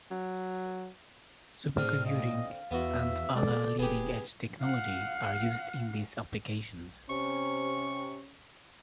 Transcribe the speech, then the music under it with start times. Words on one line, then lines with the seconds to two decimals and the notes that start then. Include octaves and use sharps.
Supercomputing and other leading-edge technology are used in these applications.
0.11 F#3
1.77 A2 D3 C4 G#4 F6
2.06 D#5 F5
2.71 E2 B3 F#4 E5
3.35 G#3 A4 D5
3.79 D#1 B3 G4 G#4
4.62 F5 F#5
7.10 C3 C#4 C#6